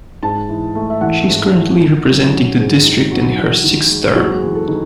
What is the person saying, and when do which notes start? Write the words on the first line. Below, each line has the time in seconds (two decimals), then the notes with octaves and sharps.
She is currently representing the district in her sixth term.
0.23 G#2 A5
0.49 E3
0.75 A3
0.90 E5
1.01 A1 F#5
1.27 G#2
1.54 E3
1.80 D#3
2.06 F#3
2.33 C#4
2.58 G#2 G#4
2.85 D#3
3.11 F#3
3.37 E2
3.63 D#3
3.90 G#3
4.15 F#1 F#4
4.35 G#4
4.42 E2
4.55 A4
4.68 D#3